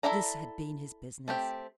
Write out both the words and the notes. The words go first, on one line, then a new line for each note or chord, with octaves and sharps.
This had been his business.
E4 A4 D5 E5 A#5
A3 C4 G4